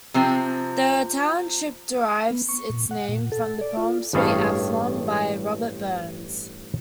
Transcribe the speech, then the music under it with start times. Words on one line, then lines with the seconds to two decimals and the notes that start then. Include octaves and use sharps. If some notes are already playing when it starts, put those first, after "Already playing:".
The township derives its name from the poem "Sweet Afton" by Robert Burns.
0.14 C3 F3 C4
2.31 B3
2.49 C#6
2.70 A#2
2.91 F#5
3.09 A#2
3.32 A4
3.61 D5
3.77 F4
4.13 A1 G2 G#4 A4 C#5 F5